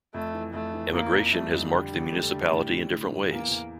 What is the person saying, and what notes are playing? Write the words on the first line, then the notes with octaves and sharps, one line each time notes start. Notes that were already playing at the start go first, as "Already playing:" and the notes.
Emigration has marked the municipality in different ways.
F2 A3
E3
F2 A3
E3
F2 A#3
F2
G3 A3
F2
D3 G3
D3
A3
D3
A2
A2
A2
A2
E2 A#3
E2